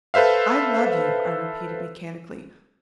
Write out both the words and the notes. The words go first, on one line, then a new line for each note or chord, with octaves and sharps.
"I love you," I repeated mechanically.
A4 B4 C5 E5 F5